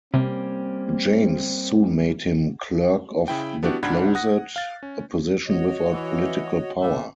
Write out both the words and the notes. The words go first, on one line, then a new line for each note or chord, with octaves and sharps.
James soon made him clerk of the closet, a position without political power.
C3 G3 A#3 C4 C#4
C#3 E4 G5
B3 D4 E4 F#4 G4
C#2 G#2 D4 F#5 B5 G#6
F#5 D#6 F#6 A#6
F5 A6
C#4
F#4 C#5 D#5
E3
A2 D5 E5